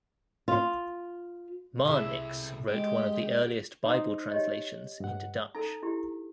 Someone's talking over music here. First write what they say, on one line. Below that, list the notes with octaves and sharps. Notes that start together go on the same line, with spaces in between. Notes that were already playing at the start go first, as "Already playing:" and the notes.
Marnix wrote one of the earliest Bible translations into Dutch.
F4
C2 A2 C3 G#4 E5
G#3 G4
D#4 C5
G4 C#5 D#5
G2 F#5
D#4 A4 A#5
E4 G4